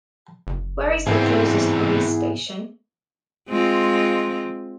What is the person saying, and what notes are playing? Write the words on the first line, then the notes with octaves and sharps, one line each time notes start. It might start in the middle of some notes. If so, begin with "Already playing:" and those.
Where is the closest police station?
F#1
G#2 E3 B3 C4 E4 G#4
G#3 C4 F4